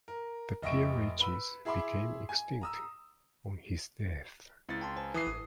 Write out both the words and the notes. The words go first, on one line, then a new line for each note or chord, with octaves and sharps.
The peerages became extinct on his death.
A#4
F1 D#5 E5 G5 C#6 D7
B4 B5 E6
E4 G#4 E5 B5 C6 D6
G#5
A#5 D#6 E6
C#2 C4 C#4 E4 A6
G5 A5 C6
C5 G#5 A5
E3 D#6 C7
A1 D#6